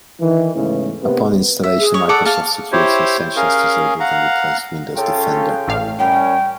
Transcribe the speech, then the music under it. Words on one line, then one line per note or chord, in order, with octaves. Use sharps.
Upon installation, Microsoft Security Essentials disabled and replaced Windows Defender.
D#3 E3
E2 G#2 C#3 G#3 A3
C3 A#3 B3
E5
G#4
C#5
A4 D5 F#5
F5 A5
E4 G4 C5 C#5
C#4 G#4 A#4 F5
F5 F#5 A#5
C#3 C#4 F4 A4 G5
A1 A2 F5
F#2 G3 C#4 G5